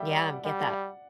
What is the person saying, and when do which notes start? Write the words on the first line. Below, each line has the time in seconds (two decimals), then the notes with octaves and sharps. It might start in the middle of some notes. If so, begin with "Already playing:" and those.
Yeah, get that.
Already playing: G3 D5 E5 F#5 G5
0.10 D5 F#5
0.28 D5 F#5
0.44 G3 D5 F#5